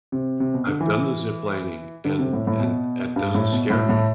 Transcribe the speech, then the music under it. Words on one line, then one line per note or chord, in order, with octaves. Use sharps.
I've done the ziplining, and and that doesn't scare me.
C3
C3
B2
D3
E3
D3
C3
A2
A2
B2
G2
A2
B2
A2
A2